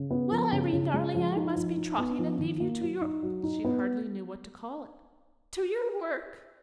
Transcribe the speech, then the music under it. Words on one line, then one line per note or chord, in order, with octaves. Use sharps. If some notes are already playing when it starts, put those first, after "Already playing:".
"Well, Irene darling, I must be trotting, and leave you to your--" she hardly knew what to call it-- "to your work."
Already playing: C#3
B3
F3
C#3
C#3
G#3
F3
D#4
F3
D#4
B3
F3
D#3
A#3
F#3
D#4
F#3
D#4
B3